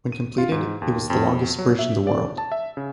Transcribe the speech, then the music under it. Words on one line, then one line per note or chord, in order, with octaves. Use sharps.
When completed, it was the longest bridge in the world.
D#7
F4
G#2
D#2
F2
F#3
E5
D5
A5
E5
C#3